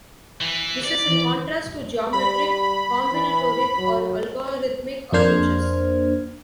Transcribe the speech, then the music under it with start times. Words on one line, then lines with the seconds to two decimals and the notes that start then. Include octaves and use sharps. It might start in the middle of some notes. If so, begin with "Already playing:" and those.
This is in contrast to geometric, combinatoric, or algorithmic approaches.
0.41 E3
0.84 D5
1.07 E3
2.13 G3 B5
3.12 E3
3.78 F#3
5.13 F2 A#3 D4 C5 F6 G#6